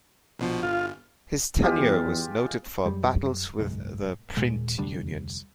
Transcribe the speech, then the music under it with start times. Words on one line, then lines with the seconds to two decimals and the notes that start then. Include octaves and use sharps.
His tenure was noted for battles with the print unions.
0.39 A#1 B2 F3
0.63 G1 F4
1.62 E2 G#3 F4 G4
2.86 F#2 G3
3.59 F#1 B1 G#2
4.37 D#2 A#2 G#3
4.78 F1 D2 G3 D4